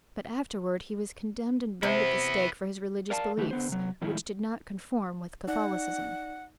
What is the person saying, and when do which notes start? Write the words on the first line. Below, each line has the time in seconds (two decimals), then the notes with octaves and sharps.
But afterward he was condemned and burned at the stake for his religious beliefs, which did not conform with Catholicism.
1.83 C3 B3 E4
3.10 A#4 D5 F5 G#5 A5
3.37 D#3 E3 A3 G4 B4
3.51 D3 B3 C5
3.69 C3 F#3
4.02 A2 D#3 F3 G#3 E4
5.48 D#4 D5 F#5